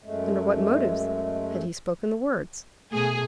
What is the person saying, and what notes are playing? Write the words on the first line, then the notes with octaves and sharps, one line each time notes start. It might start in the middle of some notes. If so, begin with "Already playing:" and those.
Under what motives had he spoken the words?
F#2 G#3 A3
B2 A3 G#4